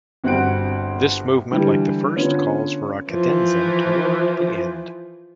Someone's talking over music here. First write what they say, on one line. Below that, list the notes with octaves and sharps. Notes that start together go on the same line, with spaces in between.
This movement, like the first, calls for a cadenza toward the end.
G1 C4 F#4 F#5 F#6 D7
D3 E3 G3
D3 B3 C#4 F4
E3 F3